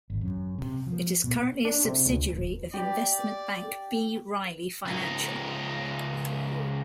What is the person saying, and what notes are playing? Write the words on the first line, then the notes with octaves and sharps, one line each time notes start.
It is currently a subsidiary of investment bank B. Riley Financial.
G#1
F#2
C3
F3
B2
D4
C3
D2
D#1
G4 D5
C#2 D#4